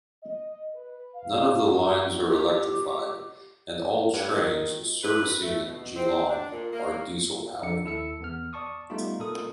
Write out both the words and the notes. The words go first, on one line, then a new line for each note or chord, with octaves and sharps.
None of the lines are electrified and all trains servicing Geelong are diesel powered.
D#5
B4
F5
F#3
G4
G2
D#3
B4
B4
A3
B2
C4
D4
A#2
A#3
F2 F3 D4 A4 C#7
D#2 E4 A4 E6 C#7
E2 B3 F6
D5 A5 C#6 D#6
G3 A3 B3 D#4 F4
A#2 A4 A#4 D#6